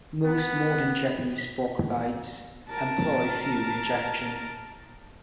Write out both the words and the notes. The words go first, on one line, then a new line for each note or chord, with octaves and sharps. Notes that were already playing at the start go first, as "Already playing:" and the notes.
Most modern Japanese sportbikes employ fuel injection.
B3
A#4 A5